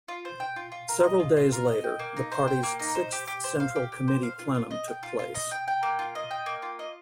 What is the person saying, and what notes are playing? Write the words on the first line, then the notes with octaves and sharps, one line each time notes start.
Several days later the party's Sixth Central Committee plenum took place.
F4
C5
G5
F4
F4
A#4
D#5
F4
F4
A#4
D#5
G5
A#3
D#4
C5
G5
A#3
D#4
C5
G4
G4
C5
F5
G4
G4
C5
F5
F4
F4
D#5
G5
F4
F4
D#5
G5
G5
A#3
F4
D#5
G5
A#3
F4
D#5